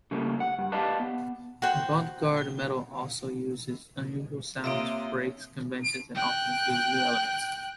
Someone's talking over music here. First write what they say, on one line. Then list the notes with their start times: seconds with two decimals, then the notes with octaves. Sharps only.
Avant-garde metal also uses unusual sounds, breaks conventions, and often includes new elements.
0.11 C#3 G3 A3 A#3
0.40 F#5
0.59 G2
0.72 G4 B4 D5 D#5 F5 A5
1.00 B3
1.62 F#4 C5 F#5 G5
4.64 C3 A#3 C4 F4 C#5 D#5 E5 D7
6.15 G5 F#6